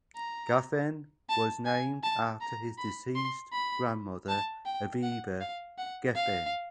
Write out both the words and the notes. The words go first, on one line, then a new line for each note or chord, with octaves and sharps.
Geffen was named after his deceased grandmother, Aviva Geffen.
A#5
A5
G#5
A5
A#5
B5
C6
B5
A5
G5
F#5
F5
F#5
F5